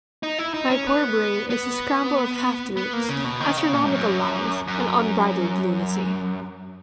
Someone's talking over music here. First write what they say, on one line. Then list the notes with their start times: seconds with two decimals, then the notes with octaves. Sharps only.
My poor brain is a scramble of half-truths, astronomical lies and unbridled lunacy.
0.23 D#4
0.38 E4
0.54 D#4
0.70 C#4
0.87 B3
1.50 B3
2.77 B3
2.93 A#3
3.09 C#3
3.25 B2
3.40 D#3
3.57 C#3
3.73 A#2
3.84 G#2
3.88 F#2
4.68 F#2